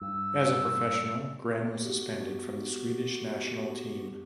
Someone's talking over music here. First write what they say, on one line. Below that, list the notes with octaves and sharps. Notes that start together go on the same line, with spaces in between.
As a professional, Gren was suspended from the Swedish national team.
G2 E6
B3 F#4 G4